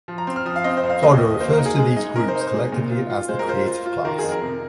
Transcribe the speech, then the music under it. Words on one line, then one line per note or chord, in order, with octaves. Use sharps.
Florida refers to these groups collectively as the creative class.
F3
A#5
C4 C6
F6
F3 D#6
F5
C4 D#5
C5
F2
F5
D#2 D#5
D#2
A#3 C5
A#4
D#4
G#4
G#3 G#4
D#4
C3 A#4
C5
D#4
C5
G#3
A#2
F4
F4
G#3 C5
A#4
F4 C5
F4
F4
D#3 A#4
F2 G#4
A#4
C3